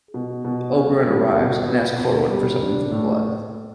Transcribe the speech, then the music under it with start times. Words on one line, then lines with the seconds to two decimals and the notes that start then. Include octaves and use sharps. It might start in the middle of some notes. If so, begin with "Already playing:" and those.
Oberon arrives, and asks Corwin for some of his blood.
0.14 B2
0.45 B2
0.75 C#4
1.06 G3
1.37 B2
1.68 B3
1.99 B2
2.29 G3
2.60 D4
2.91 A2